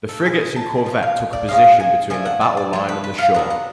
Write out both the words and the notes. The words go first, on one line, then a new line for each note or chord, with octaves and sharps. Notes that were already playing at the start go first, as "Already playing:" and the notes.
The frigates and corvette took a position between the battle line and the shore.
A4
B2 G#3 G#5
A5
F3 G#3 C#4
F5
D5
F3 G#3 C#4 F5
F#5
G#5
F3 A3 D4 G#5
F#5
D5
D5
F3 A3 D4 C#5
B4
B4
F5
F#3 B3 D4 F#5
F#5